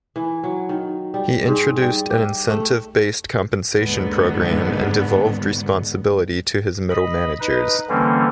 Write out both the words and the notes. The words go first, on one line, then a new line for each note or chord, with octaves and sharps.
He introduced an incentive-based compensation program and devolved responsibility to his middle managers.
E3
F#3
D#3
G3
G#2
G3
G4
A3
D#2 G#2 D3 B3
D#5 B5
D#4 B4
D3 E3 G3 A#3 C4 C#4